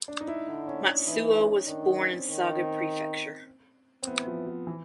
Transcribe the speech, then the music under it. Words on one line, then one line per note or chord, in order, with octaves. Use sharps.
Matsuo was born in Saga Prefecture.
D4
D#4
E4
D3
C#4
D4
E3 D#4
C#4
D#3 D4
D#4
C#4
C4
D#3 C#4
C4
C4
E3 B3
F3
F3
E3